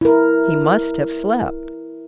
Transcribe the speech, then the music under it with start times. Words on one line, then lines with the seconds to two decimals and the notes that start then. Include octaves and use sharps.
He must have slept.
0.01 E4 A#4